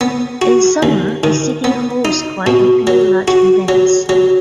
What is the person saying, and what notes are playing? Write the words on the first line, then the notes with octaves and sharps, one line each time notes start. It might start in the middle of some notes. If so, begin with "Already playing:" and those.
In summer, the city hosts quite a few large events.
B3
F#4
D#2
D#3
B3
D#4
B2
F#3
F#4
F#3
F#3